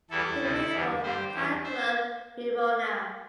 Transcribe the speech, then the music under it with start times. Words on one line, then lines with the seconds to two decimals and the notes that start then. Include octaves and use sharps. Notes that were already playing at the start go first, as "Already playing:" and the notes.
He plays for Italian club Verona.
0.10 E2 E3 G3 E4 A4
0.41 D2 C3 G3
0.72 E2 D3 G3
1.02 G2 D3 G3 G4 C5
1.33 E2 E3 G3
1.63 C5 E5